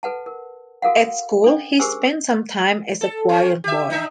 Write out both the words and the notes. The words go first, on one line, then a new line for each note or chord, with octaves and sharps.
At school he spent some time as a choir boy.
A4 B4 F#5 A5
A#4
F#4 A4 A#4 F5 F#5
C#4 D4 A4
G4 G#4 A#4 C5 G#5 E6
A4
C4 C#4
G4 E5
D4 D#4 E5